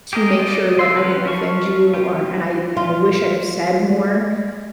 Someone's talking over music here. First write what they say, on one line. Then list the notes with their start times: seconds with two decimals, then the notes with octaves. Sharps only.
to make sure that I didn't offend you or and I and I wish I'd have said more."
0.13 G4 G#4 A#4 D#5
0.39 F4 D5 D#5
0.77 D3 C6 E6
0.97 C#4 G4 A#4 B4
1.25 C#4 F4 F5 A5 C#6
1.94 F4 G4
2.77 F4
3.90 G#3